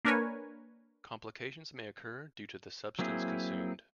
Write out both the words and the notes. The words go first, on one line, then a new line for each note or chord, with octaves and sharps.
Complications may occur due to the substance consumed.
A#3 D4 A#4 B4 C#5 G#5
F#3 A#3 C4 E4 G#4